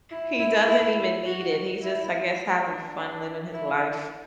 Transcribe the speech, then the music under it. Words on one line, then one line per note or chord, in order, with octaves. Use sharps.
He doesn't even need it, he's just I guess, having fun living his life.
E4
E4
E4
F#4
E4
D4
D4
E4